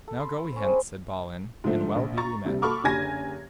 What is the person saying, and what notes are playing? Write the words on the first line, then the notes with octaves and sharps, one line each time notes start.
Now go we hence, said Balin, and well be we met.
A4
B5 C6
C#4 C5
G#3 C4 B5
G#2 D3 F3 A3
A#1
A#5 C#6 A6
D2 C3 G3
F#4 A4 B5 C#6 D6 F6
F#1 D3 G4 G#5 G#6 A#6